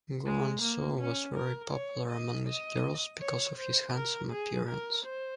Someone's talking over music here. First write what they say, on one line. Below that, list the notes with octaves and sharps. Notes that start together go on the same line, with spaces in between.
Guan Suo was very popular among the girls because of his handsome appearance.
G#3
A#3
C#4
A#4
C#5
D#5
D#5
C#5
C5
A#4
G#4
A#4
C5